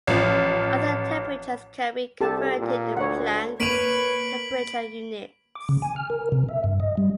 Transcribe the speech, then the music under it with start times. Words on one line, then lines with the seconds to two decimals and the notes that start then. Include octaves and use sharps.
Other temperatures can be converted to Planck temperature units.
0.07 A1 F3
2.21 C2 G4 A4 A5
2.59 A#2
2.97 D2 C#5 F#5
3.60 A#3 B4 C#5 B6 D7 D#7 F7 F#7
5.55 D6
5.69 C#3
5.82 G#5
5.96 F6
6.10 A#4
6.32 C3
6.49 E5
6.64 G2
6.80 D#5
6.97 G3